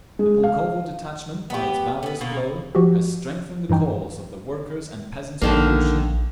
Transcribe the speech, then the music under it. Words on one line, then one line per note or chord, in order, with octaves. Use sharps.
The Pulkovo detachment by its valorous blow has strengthened the cause of the Workers' and Peasants's Revolution.
G#3
F5
B3 G4
B3 C#4
B2 F#3 A#3
F3 F#4 G4
G2 E3 D#4 G5
A#1 D3 D#3 A#3